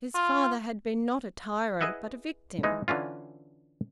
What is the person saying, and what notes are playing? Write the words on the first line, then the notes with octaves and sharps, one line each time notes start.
His father had been not a tyrant, but a victim.
F4
E4 G#4 B4 D#5 E5 F#5
E3 G#3 D#4
D3 E3 C#4 F4